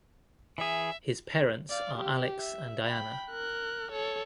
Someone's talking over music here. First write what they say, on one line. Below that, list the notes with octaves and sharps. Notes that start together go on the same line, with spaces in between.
His parents are Alex and Diana.
E3 G#4 E5
D5 F5
G4
E5
G5 B5
A#4 F#6
A4 C#5